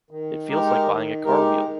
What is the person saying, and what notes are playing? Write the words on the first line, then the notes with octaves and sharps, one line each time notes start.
It feels like buying a car wheel.
D#3
G#3 D#4 G4 A#4
D#3
G#3 D#4 G4 A#4
D#3